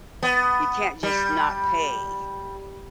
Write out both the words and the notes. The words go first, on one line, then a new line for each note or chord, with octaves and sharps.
You can't just not pay,
B3
G3